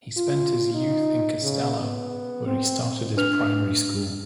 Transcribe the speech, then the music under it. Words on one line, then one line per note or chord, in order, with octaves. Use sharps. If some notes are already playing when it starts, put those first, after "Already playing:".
He spent his youth in Castello, where he started his primary school.
F4
D#4
C#3
B3
C4
D4 B4 F6 F7